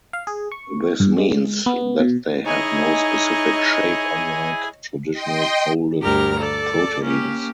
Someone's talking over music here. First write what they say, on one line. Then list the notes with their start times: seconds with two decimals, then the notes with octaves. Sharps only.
This means that they have no specific shape unlike traditional folded proteins.
0.13 F5
0.27 G#4
0.52 C#6
1.00 G2
1.18 G#3
1.66 B3
2.00 B2
2.46 D#4 E4 G#4 C#5 D#5 G#5
5.13 D#5 G5 C6
6.03 D2 G2 G4 A#4 A#5 F6
6.38 A4 D5
7.02 A#3 C#4 G4